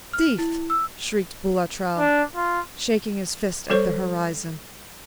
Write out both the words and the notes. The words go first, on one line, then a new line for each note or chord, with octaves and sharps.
"Thief!" shrieked Boulatruelle, shaking his fist at the horizon.
F6
E4
E6
D4
F4
G3 A4 C5 C#5 C#6